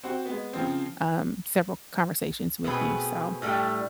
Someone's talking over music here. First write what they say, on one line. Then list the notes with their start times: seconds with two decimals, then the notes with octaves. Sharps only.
um, several conversations with you. So,
0.04 C4 F#4 C5
0.26 G#3 B3
0.53 C#3 F3 C4
2.64 B2 A3 B3 C4 G#4 B4
3.42 A2 G3 A3 D4 G5